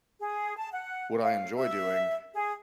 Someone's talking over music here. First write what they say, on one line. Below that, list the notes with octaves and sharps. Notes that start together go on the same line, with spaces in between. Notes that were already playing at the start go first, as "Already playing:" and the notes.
what I enjoy doing,
G#4
A5
F#5
F5
E5
G#4